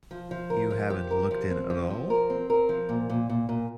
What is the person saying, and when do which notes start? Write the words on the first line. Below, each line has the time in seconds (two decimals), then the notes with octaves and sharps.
You haven't looked in at all?
0.11 F3
0.31 F3
0.50 A#4
0.70 F3
0.90 G4
1.11 A#4
1.31 F3
1.50 C4
1.70 F3
1.90 F3
2.10 A#4
2.30 C4
2.50 A#4
2.69 F3
2.89 A#2
3.09 A#2
3.29 A#2
3.49 A#2